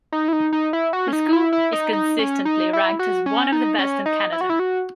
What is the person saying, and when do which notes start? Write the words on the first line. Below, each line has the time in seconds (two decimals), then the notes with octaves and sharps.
The school is consistently ranked as one of the best in Canada.
0.12 D#4
0.28 E4
0.33 D#4
0.53 D#4
0.73 E4
0.93 F#4
1.08 C#4
1.13 D#4
1.33 E4
1.53 E4
1.73 D#4
1.93 D#4
2.19 C#4
2.45 D#4
2.73 E4
2.99 F#4
3.26 C#4
3.52 D#4
3.79 C#4
4.06 D#4
4.32 E4
4.41 F#4
4.49 E4
4.59 F#4